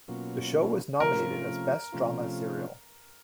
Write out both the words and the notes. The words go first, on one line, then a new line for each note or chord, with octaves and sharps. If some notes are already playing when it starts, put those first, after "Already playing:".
The show was nominated as Best Drama Serial.
B2 F#3 A#3 C#4 F4
C3 F3 A3 C#4 F4 A#4
C3 F3 A3 C#4 F4